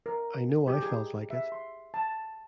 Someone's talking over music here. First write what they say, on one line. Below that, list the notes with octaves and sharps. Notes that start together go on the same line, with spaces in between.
I know I felt like it.
A#4
G4
G#4
E5
C6
A5